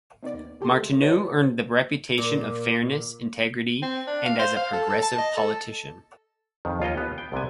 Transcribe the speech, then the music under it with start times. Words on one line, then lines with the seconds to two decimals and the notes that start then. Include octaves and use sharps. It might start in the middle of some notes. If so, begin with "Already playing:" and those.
Martineau earned the reputation of fairness, integrity, and as a progressive politician.
0.23 C3 D#3 B3 D5
0.34 D#2
0.60 C#3 G4 A4 C6
0.79 G#3 A3
1.01 C#4 D#4 F#4 B4 C#5 A5
2.18 A#2
3.82 C4
4.07 D4
4.26 F5
4.39 C5
4.56 F5
4.73 A4
4.90 A4
5.03 A5
5.18 D#5
5.37 A4
6.65 F2 D#3
6.80 D#2 F4 C#5 D#5
6.97 B3 G4
7.18 G5
7.32 C2 C3 E3 B3 G#5